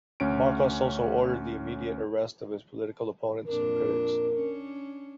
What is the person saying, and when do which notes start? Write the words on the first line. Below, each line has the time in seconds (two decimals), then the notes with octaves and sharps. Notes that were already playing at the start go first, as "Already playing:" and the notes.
Marcos also ordered the immediate arrest of his political opponents and critics.
0.20 D2 C#4 D7
3.47 F2 A#2 D4 A#4
4.31 C#4 D4